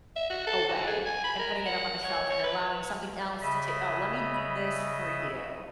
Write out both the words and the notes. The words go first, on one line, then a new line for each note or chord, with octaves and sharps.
away and putting it up on the shelf and allowing something else to, "Oh, let me do this for you."
E5
F#4
A4
F#4
G#4
G#5
B5
A#4
F#5
C#5
C#5
B4
C#3 D#5 E5 B5